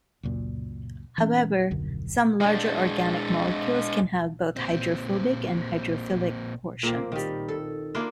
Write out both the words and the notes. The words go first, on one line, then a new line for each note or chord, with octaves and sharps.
However, some larger organic molecules can have both hydrophobic and hydrophilic portions.
C#2 F#2 A#2
E3 C4 C#4
D#1 B1 F#2 D3
G#3 D4
A#2 C4
A#2 A#3 C4
D#3 G3
A4
A#3 D4 E4 F4